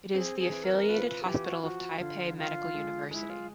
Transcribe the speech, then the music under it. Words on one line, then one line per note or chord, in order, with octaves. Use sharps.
It is the affiliated hospital of Taipei Medical University.
C4 G#4
G#4
E3
A#4
F4 B4
B4
G#4
E3 G4
F#4
F3 F#4
D3 F4
F3 F4
G#3
G#3 E4
F4